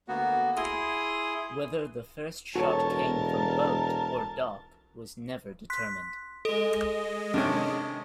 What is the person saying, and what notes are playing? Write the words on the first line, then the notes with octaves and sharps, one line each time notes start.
Whether the first shot came from boat or dock was never determined.
D2 A#3 B3 F#4
E4 G#4 C6 D#6
E1 F#4 A4 A#4 C#5 A5
C6 F#6 B6
G#3 A4 D#5
C3 D#3 C#4 D4